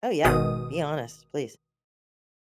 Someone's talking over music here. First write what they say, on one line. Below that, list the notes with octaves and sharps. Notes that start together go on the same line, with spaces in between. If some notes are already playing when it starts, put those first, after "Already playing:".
Oh, yeah. Be honest, please.
G#1 B2 D#3 G#3 D#6